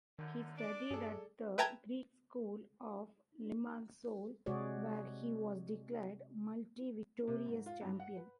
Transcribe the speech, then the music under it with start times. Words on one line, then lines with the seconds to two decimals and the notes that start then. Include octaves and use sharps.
He studied at the Greek School of Limassol where he was declared Multi-victorious Champion.
0.19 F#2 D3 D#3
0.57 D4 D5
0.91 G2 G#4 A4
1.58 B4 E5 G5 A5 A#5 G#6
4.46 C3 G#3 F#4 G#4 C#5 D5
7.28 C3
7.46 G#2
7.66 F4
7.81 G2
8.00 F#5
8.17 B4